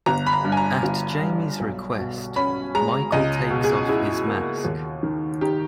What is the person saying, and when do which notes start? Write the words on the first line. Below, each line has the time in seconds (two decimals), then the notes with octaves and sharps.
At Jamie's request, Michael takes off his mask.
0.06 G1 A#5
0.26 B5
0.33 A#5
0.44 G2
0.52 G#5
0.57 A#5
0.83 G1
1.22 G3
1.60 B1
1.98 B2
2.36 C#4 B5
2.75 G#3 A#5
3.12 C#2 D#5
3.50 B2
3.64 G#4
3.89 E4 G#4
4.28 A#3
4.65 D#2
5.03 D#3
5.41 D#4 G4